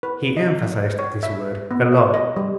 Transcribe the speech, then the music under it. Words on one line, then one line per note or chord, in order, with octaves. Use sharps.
He emphasized this word "alone."
B4
D#5
C#5
E5
B3
E5
D#5
G3